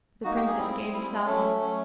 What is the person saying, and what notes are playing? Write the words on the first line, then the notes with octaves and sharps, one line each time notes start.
The princess gave a sigh.
A#3 D#4 F#4
G4
G#4
G3 C4 E4
G3 C4 E4
F#3 A3 C#4 A4
F#3 A3 C#4